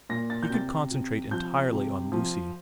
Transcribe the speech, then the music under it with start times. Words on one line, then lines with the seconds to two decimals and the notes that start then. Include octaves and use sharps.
He could concentrate entirely on Lucy.
0.09 A#2 A#6
0.30 A6
0.43 G6
0.50 C3 A6
0.91 C3
1.31 F3 G6
1.72 C3
2.12 F3